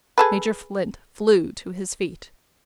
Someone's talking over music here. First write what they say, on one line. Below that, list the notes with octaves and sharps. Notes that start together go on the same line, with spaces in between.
Major Flint flew to his feet.
G#4 A4 B4